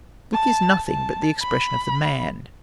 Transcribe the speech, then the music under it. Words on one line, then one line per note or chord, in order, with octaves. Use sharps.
The book is nothing but the expression of the man.
A5
A5
B5